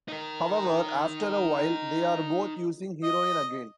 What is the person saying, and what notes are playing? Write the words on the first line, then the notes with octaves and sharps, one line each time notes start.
However, after a while they are both using heroin again.
D#4 A#4
D#5